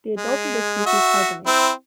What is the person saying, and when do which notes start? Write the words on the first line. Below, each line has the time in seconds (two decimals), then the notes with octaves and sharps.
The adults of the species hibernate.
0.17 G#3
0.86 F#4 E5
1.46 C4 E4